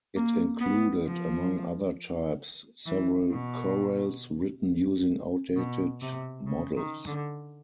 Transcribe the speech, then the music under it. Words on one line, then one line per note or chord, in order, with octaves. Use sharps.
It included, among other types, several chorales written using outdated models.
A#3
B3
F3
E3
B2
B2
C3
C#3
D#3
D3